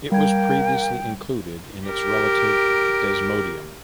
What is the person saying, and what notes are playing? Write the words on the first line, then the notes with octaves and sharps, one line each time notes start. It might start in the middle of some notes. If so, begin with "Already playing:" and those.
It was previously included in its relative "Desmodium".
G3 A#3 G5 G#6
G4 A#4